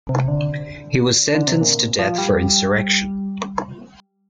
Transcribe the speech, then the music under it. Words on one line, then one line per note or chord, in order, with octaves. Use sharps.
He was sentenced to death for insurrection.
C3
D3
D3
C3
A#2
F3
G3